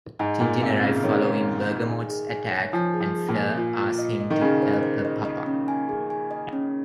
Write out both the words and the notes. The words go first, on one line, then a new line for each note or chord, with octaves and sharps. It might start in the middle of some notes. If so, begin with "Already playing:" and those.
Tintin arrives following Bergamotte's attack, and Fleur asks him to help her 'papa'.
G#2 G#5
A#2 G#5
C3 F5
C#3 F5
D#3 C#5
F5
G#4
G#4
G#5
G#4
G#5
C#5
F3 G#5
G#4
F3
G#4
A#2
G#5
F4
F4
D#5
D#5
D#3
C#3 G#5
C5
C5
D#5
D#5
C#4
G#5
G#4
G#5
D#5
C#4